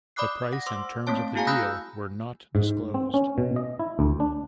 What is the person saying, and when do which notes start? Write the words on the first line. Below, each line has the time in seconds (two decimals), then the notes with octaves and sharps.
The price and terms of the deal were not disclosed.
0.16 D5 B5 D6 D#6 F#6 C7
0.53 F#5 A#6
0.67 C5 C6 D6 E6
1.07 A3 A#3 C4 C#5 A5
1.35 E4 F#4 G#4 F5 G#5 A#5
1.47 B5 D#6 E6 F#6 G6 A#6
2.55 G#2
2.94 C4
3.14 C#4
3.38 B2
3.56 D#5
3.80 E4
3.99 D2
4.20 D4